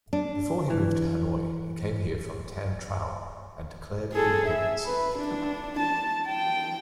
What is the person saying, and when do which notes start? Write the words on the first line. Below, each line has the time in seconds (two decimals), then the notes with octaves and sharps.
Before he moved to Hanoi, he came here from Tan Trao and declared independence.
0.13 D4
0.70 E3
4.14 G#4 A4
4.47 E5
4.85 B4
5.18 D4
5.80 A5
6.27 G5